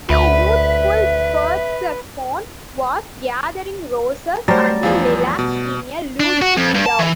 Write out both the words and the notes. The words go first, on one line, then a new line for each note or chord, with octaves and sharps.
The youthful Persephone was gathering roses and lilacs in a lush meadow.
D2 B4 E5
F#3 G3 A3 A#4 C5 F#5 A6
E2 F3 F5
B2
D4
F#4
F2
G2
A5
E3